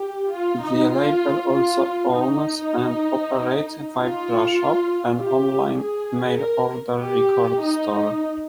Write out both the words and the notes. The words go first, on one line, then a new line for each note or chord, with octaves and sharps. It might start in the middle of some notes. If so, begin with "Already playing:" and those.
The label also owns and operates Vibrashop, an online mail order record store.
Already playing: G4
F4
D#4
F4
F4
D#4
F4
G4
G#4
A#4
G4
D#4